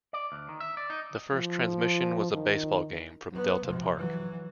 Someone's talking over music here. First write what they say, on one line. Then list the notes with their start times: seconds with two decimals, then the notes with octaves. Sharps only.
The first transmission was a baseball game from Delta Park.
0.13 D5
0.32 D2
0.49 D#3
0.60 E5
0.77 D5
0.90 D#4
1.33 F3
2.32 D#3
3.33 F#3 B3
3.65 C3 F3
3.96 E3 F#3